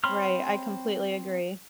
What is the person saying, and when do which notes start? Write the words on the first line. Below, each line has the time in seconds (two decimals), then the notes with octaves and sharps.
Right, I completely agree.
0.04 C4 C#5 B5 C6 F6